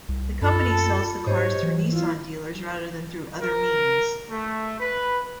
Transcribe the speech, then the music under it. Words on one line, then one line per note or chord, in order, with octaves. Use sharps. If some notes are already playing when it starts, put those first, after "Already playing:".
The company sells the cars through Nissan dealers rather than through other means.
C2
F#2 F4 A4 A5 B5
G#2 G4 C5 C#5 D#5
E3
E4 F4
A#4
A3
B4